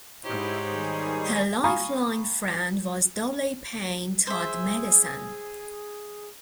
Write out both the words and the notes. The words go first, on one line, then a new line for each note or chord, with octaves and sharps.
Her lifelong friend was Dolley Payne Todd Madison.
G#2 D#4 E4 G4 C5 C#5
D#3 G3 G#4
F5 G#5 A#5 B5 C#6 D#6
G#4 C5 E5